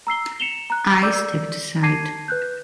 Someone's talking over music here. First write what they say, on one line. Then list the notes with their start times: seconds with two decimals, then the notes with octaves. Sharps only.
I stepped aside.
0.07 A#5 E6 C7 G7
0.40 C#7 E7 F7 G7
0.70 A#5 F#6
1.03 D5 D6 E6 G6
1.83 A5 D6 G#6 C7 D#7
2.28 B4 F#6 G6